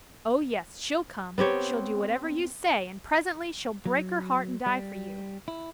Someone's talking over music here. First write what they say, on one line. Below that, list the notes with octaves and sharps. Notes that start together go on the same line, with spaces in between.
Oh, yes, she'll come! she'll do whatever you say, and presently she'll break her heart and die for you.
B3 C4 G4 C#5
F#3
G3
E4